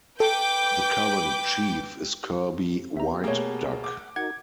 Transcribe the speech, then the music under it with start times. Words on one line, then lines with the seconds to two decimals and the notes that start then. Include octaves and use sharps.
The current Chief is Kirby Whiteduck.
0.20 A4 B4 G5 D6 G6
2.97 B3 G4 E5 A#5
3.24 B2 A3 A#3 G#4 C#5
3.84 F#5 D6
4.16 D#4 F#4 A#4 F#5 G#6